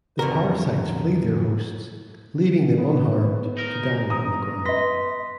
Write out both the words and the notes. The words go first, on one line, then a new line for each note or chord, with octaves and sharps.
The parasites flee their hosts, leaving them unharmed, to die on the ground.
F2 D3 B3 F#4 A#4
B3
D#4 A#4
A#5 D#6
B4 D#5 C6 A#6 B6